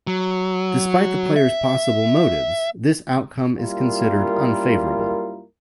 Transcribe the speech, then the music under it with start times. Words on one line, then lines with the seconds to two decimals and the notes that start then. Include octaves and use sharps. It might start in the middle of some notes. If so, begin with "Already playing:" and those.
Despite the player's possible motives, this outcome is considered "unfavorable".
0.07 F#3
1.36 E5
3.58 F#2 G3 A#3 E4 F4 A#4